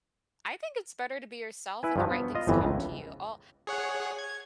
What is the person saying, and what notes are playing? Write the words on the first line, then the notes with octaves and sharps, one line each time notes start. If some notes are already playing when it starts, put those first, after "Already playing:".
I think it's better to be yourself and the right things come to you. Oh,
E4 B4 G#5
G2 F3 F#3
B3
F4 D#5
G1 F2 E3
C#2
G#4 C#5 F#5
G#6